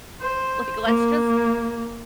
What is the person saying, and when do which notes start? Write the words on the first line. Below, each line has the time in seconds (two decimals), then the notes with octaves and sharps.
like, let's just
0.20 C5
0.86 A#3